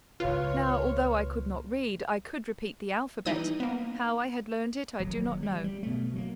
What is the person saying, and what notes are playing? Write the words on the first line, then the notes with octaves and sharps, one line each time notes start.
Now, although I could not read, I could repeat the alphabet; how I had learned it I do not know.
C#2 A#2 F4 B4 C#5 C6 F6
E3 G3 D#4 D#6
A#3 B3
D#1 F#3
G3
G3
B2 A3
F#3 A3 A#3